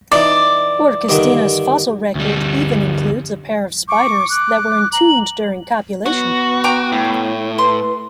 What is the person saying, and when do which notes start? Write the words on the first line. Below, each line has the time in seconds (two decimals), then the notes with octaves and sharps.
"Orchestina"'s fossil record even includes a pair of spiders that were entombed during copulation.
0.12 E3 D#4 D5
1.09 G2 D3 D#3
2.15 D2 G3
3.88 C#6 D6
4.30 D6 F#6
4.92 A#5 F#7
6.06 B3 F#4 C#5
6.64 G5 A#5 D6
6.92 A2
7.58 B4 C6